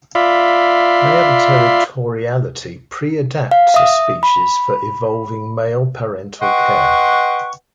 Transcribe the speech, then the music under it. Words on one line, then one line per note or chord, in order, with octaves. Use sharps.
Male territoriality "preadapts" a species for evolving male parental care.
F4 D5 E5 F5 B5 C6
F5
E5 D#6
B5
B4 D#5 F#5 G5 C6 C#6